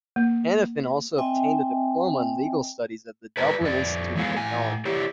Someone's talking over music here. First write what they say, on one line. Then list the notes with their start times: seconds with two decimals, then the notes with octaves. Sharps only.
Hanafin also obtained a diploma in legal studies at the Dublin Institute of Technology.
0.16 A#3
1.18 C4 D#5 E5 G5 G#5
3.37 B4 D5 A5 A#5
3.61 F2 D5
4.16 E3 F#3 G#3 B3 G#4 F5
4.36 A2 G#5
4.85 E4 G4 C#5 D5